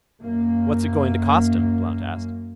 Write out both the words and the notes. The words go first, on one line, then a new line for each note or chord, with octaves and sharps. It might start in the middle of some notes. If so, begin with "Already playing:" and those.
"What's it going to cost him?" Blount asked.
F#2 A#3